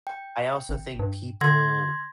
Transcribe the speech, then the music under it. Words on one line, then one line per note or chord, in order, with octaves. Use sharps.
I also think people,
G5
G#1
G2
D3 C6 G#6 A#6